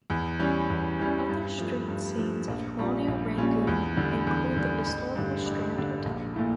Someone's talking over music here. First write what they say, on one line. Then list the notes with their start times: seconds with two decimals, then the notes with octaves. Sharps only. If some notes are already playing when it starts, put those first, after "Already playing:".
Other street scenes of colonial Rangoon include the historical Strand Hotel.
0.10 E2
0.39 E3 G3 C#4
0.70 E2
1.00 E3 G3 C#4
1.29 G2
1.58 F3 A3
1.88 G2
2.18 F3 A3
2.48 A#1
2.78 A#2 G3 C#4 F4
3.08 A#1
3.37 A#2 G3 C#4 F4
3.67 E2
3.96 D3 G3
4.27 E2
4.56 D3 G3
4.86 A1
5.16 G2 D3
5.45 A1
5.75 G2 D3
6.05 A#1
6.34 A#2 A3 E4